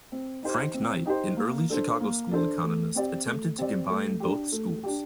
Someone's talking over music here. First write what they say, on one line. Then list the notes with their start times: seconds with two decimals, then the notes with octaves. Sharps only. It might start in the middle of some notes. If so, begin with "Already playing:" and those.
Frank Knight, an early Chicago school economist attempted to combine both schools.
0.12 C4
0.43 D#4 G4 C5
0.74 C4
1.06 D#4 G4 C5
1.37 A#3
1.69 D4 A4 C5
2.00 A#3
2.31 D4 A4 C5
2.63 A3
2.95 C4 G4 D5
3.25 A3
3.58 C4 G4 D5
3.89 A3
4.20 D4 G4
4.52 A3
4.83 D4 G4